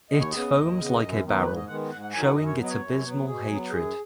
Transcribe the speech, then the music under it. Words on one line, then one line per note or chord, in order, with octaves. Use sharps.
It foams like a barrel, showing its abysmal hatred.
D#2 D#5
C#5
C#3 B3 D#5
D#2
C#3 B3
F#2
D#3 F#3 B3
G#2 B4
D#5
D#3 G#3 B3 F#5
G#2 F#5
F#5
D#3 F#3 G#5
F#5
F#2 D#5
C#5
F#3 B3
D#5
C#5
F#2
F#3 B3
B2 G#4
F#3 B3
F#2 G#4